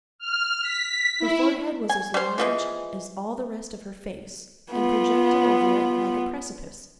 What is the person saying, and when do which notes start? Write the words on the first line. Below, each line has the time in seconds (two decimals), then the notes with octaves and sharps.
Her forehead was as large as all the rest of her face, and projected over it like a precipice.
0.19 F6
0.62 B6
1.19 E4
1.89 G#5
2.14 G3 C5
2.38 E3 F3 G#3
4.71 B3 F4